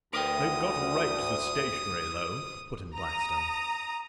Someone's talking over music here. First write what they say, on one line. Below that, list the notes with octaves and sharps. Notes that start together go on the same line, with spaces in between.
"They've got a right to the stationery, though," put in Blackstone.
D2 A#4 B4 G5 D#6
A#5 D#6